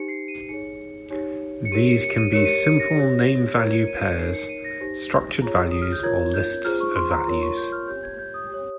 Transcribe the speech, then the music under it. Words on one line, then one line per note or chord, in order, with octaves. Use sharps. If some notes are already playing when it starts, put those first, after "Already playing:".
These can be simple name-value pairs, structured values or lists of values.
Already playing: D#4 G4 C5 C#7
C7
D#7
D#4 G#4 C#5 C#7
D#4 G4 C#5
C#7
G4 A#4 C#5 D#7
C#7
C#7
D#7
G4 A#4 C#5 C#7
D#7
C#7
C#7
A#6
G4 C#5
F4 A#4 C#5 G#6
C#7
D#7
D#7
C#7
D#4 A#4 C#5 C7
C#7
D#7
A#6
D#4 G4 C5 A#6
F4 G#4 C#5
D#6
F6
G6
F4 A#4 C#5 G#6
G6
F4 G#4 C5 F6
C#6
C6
A#5
F4 A#4 C#5 C6
C#6
G6
F6
G4 C#5 G6
G#6
G6
D#6
G4 C#5